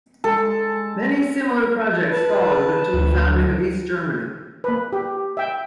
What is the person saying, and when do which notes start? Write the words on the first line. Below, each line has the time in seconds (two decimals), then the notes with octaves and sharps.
Many similar projects followed until the founding of East Germany.
0.24 G#3 A4
2.10 B4 A5
2.94 D2
4.64 A#3 B4
4.93 G4
5.37 E5 G5